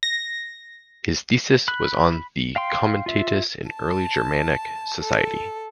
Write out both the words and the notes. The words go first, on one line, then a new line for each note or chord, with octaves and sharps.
His thesis was on the comitatus in early Germanic society.
A#6
B5 F#6
F5 G5 C6
F4 E5
A5
A4